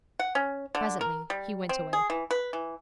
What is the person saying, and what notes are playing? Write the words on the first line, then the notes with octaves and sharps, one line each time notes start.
Presently he went away.
F#5
C#4
D3
A#4
G3
C4
G#4
E3
B4
E3